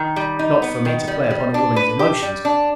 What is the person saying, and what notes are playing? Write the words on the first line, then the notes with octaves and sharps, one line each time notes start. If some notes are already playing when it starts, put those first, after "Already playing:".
Not for me to play upon a woman's emotions!
Already playing: D#3
G3
D#4
B3
D#3
G3
G3
D4
B4
G4
G3
D4